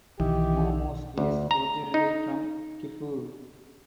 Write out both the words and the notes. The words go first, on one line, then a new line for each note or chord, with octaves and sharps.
Momose is originally from Gifu.
B1 D#3 E3 G4
D2
A#5
D#4